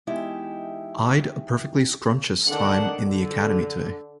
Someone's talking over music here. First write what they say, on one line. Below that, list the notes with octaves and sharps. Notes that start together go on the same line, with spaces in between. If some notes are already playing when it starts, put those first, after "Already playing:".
I’d a perfectly scrumptious time in the Academy today.
E2 G#3 D#4 E4 G4 E5
D3 D#3 D4 F#5
D3